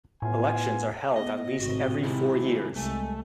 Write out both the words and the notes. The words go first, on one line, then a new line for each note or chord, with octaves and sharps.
Elections are held at least every four years.
A2 B3 F4 G#5
B3 D#5
G#1 A2 C3 C4 F#4
C3 D#3 G#3 E4
C2 G#3 A3 G#5